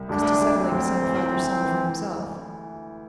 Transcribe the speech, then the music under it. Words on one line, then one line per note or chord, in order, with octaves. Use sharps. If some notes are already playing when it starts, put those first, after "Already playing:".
"As to settling some farther sum for himself."
Already playing: C2
D2 D4
D2
C4
D2
E3
E3
E3